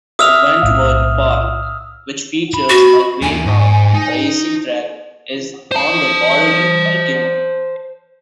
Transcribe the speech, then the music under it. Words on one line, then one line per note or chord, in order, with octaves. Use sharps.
Wentworth Park, which features a greyhound racing track, is on the border with Ultimo.
E5 D#6 F6 F7
B1 A2 F5
B5
F#4
D#2 E3 G#5
G#2
D#4
C5 A5